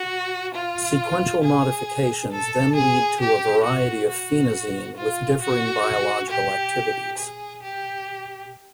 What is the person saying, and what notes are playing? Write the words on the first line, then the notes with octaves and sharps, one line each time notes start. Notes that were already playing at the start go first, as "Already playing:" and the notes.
Sequential modifications then lead to a variety of phenazine with differing biological activities.
Already playing: F#4
F4
G#4
A4
G#4
G4
F#4
F#4
F4
F#4
G4
G#4
G4